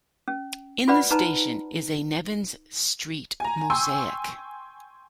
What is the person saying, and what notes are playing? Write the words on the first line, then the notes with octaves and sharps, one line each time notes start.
In the station is a "Nevins St." mosaic.
C#4
F4 B4 C5 D5 F#5 B5
D#4 B4 C5 A5 A#5
G#5 A#5
G5 G#5 C6 C#6 E6